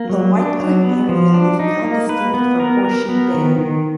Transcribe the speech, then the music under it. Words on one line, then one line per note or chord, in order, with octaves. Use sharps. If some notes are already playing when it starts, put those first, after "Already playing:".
The Whytecliff area is now distinct from Horseshoe Bay.
Already playing: A#3
F#3
D4
F#3
B3
F3
D4
D#4
A#3
B4
B3
A#4
A#4
B3
D#3
D#3